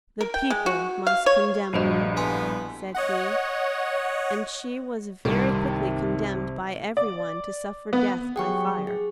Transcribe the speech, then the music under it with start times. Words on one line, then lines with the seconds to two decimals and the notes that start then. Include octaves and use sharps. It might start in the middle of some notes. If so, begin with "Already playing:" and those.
"The people must condemn her," said he, and she was very quickly condemned by everyone to suffer death by fire.
0.21 A#4
0.34 G5
0.50 G#3
0.66 F#4
1.07 F5
1.26 C#5
1.73 A#1 G2 F#4 C5 D#5
2.17 A2 B3 G#5 C6
2.94 C#5 D#5 F#5
5.25 C2 G2 C3 D#3
6.97 D5
7.93 B3
8.36 F#3 G4 G#4 F#5 G5 C#6
8.87 G#4